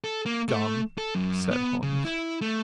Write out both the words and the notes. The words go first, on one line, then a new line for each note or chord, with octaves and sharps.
"Gum," said Holmes.
A4
A#3
A3
A4
F#2
B3
C#3
E4
A3